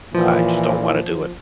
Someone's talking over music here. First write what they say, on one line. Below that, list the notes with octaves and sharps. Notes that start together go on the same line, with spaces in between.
I just don't wanna do it.
A#2 E3 F3